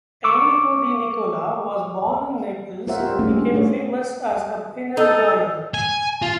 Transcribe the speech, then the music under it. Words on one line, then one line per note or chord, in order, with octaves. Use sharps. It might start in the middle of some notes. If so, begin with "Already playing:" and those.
Enrico De Nicola was born in Naples and became famous as a penal lawyer.
C#6 D6 E6
F4 A#4 C5 C#5 E5 F#5
C4 G4
G3 A3 A#3 C#4 D#4 G#4
D4
A3 D4 G#4 C#5
D#4 A4
G#5
F4